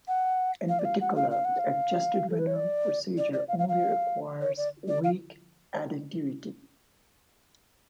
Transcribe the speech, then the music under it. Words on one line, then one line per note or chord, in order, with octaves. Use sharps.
In particular the adjusted winner procedure only requires weak additivity.
F#5
F5
D5
F5
F#5
F5
F5
F#5
F5
A4
B4
C#5
D5
D5
D5
F5
F5
F5
C#5
D5
D5
F5